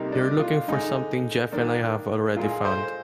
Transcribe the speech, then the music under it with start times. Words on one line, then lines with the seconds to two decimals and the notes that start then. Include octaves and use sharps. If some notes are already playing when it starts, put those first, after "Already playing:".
You're looking for something Jeff and I have already found.
Already playing: C3 G3 A#3 D#4
0.12 D4
0.39 F4
0.68 D3 G#3 D#4
1.52 D#3 A#3 D4
2.36 A#2 G#3 F4
2.65 C5